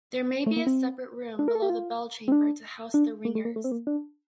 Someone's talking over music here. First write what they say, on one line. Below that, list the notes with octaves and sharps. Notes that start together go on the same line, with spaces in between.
There may be a separate room below the bell chamber to house the ringers.
A3
A#3
C4
D4
A#4
A4
G4
F4
C4
D4
D4
A#3
A3
A#3
A3
C4
A#3
D4